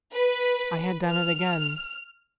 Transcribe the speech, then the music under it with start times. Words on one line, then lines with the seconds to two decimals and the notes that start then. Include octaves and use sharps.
I had done it again.
0.13 B4
1.11 F6